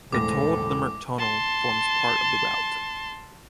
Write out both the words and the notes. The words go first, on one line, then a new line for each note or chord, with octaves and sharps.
The tolled Limerick Tunnel forms part of the route.
E1 A2 C4 A4 D6 A#6
A5 C6